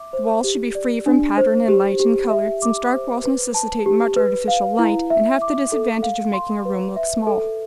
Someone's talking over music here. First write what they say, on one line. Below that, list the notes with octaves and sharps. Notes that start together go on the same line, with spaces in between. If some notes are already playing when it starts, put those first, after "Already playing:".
The walls should be free from pattern and light in color, since dark walls necessitate much artificial light, and have the disadvantage of making a room look small.
Already playing: E5 D6
C5
G4
D5
D4
C5
G4
G4
E5
D6
C5
B4
A5
G4
B4
F5
E4
E5
D6
A4
F5
C6
B4
E5
A4